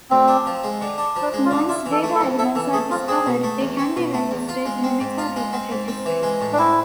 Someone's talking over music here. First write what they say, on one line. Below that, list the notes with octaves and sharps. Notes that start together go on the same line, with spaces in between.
Once data elements are discovered they can be registered in a metadata registry.
D2 C4
D4
F3
G#3
D3
D4
F3
D4
G#3
F4
D3
E4 F4
E3
A4
A3
A4
F2
E4 A4
E3 A4
A3 G#4
F2 F4
C4 G#4
B2
A3
E2
C4
B2
A3
E2
F4
G#3
C4
G#2
F4
G#3
C4
G#2
C4
E3
G#3
A2
D4
C4 E4